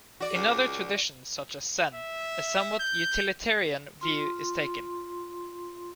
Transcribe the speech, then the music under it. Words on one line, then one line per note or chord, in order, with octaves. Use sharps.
In other traditions, such as Zen, a somewhat utilitarian view is taken.
F#4 D5
C#2
E5
G6
F4 C6